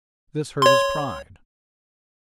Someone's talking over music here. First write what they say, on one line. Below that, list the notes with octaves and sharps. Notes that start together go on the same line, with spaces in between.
This hurt his pride.
C#5 C6